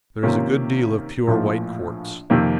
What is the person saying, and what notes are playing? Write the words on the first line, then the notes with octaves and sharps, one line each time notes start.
There is a good deal of pure white quartz.
C3 D#3 A#3 C#4 F4
A#1 A2 F3 A#3 F4
F2 C3 D#3 A#3